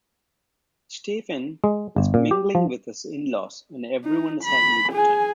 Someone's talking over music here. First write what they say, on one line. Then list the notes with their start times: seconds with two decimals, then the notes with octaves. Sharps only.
Stephen is mingling with his in-laws and everyone is having a good time.
1.64 G#3
1.96 G1
2.14 A#2
2.31 G4
2.55 F3
4.04 D#4
4.44 B5
4.92 G#4 G#5